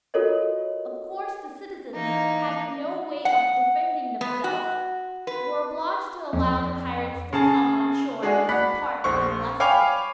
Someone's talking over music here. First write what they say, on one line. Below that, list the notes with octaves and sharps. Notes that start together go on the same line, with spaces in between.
Of course the citizens, having no way of defending themselves, were obliged to allow the pirates to come on shore and depart unmolested.
F4 F#4 A4 A#4 C#5 D#5
E3 A#3 D#4
F#5
B3
F#4
B4
F2
C#3 G#4 A5
G#3 D4 F#4 G#4
D5 F#5 B5 F#6 B6
A#1 C5 C#6
C#5 F5 G5 G#5 B5 D6